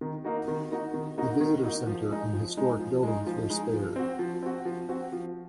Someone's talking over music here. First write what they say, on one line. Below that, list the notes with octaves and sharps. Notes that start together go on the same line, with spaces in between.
The visitor center and historic buildings were spared.
D#3
A#3 D#4 F#4
D#3
A#3 D#4 F#4
D#3
A#3 D#4 F#4
D#3
A#3 D#4 F#4
F3
G#3 D#4
F3
G#3 D#4
F3
G#3 D#4
F3
G#3 D#4
F3
C4 F#4
F3
C4 F#4
F3
C4 F#4
F3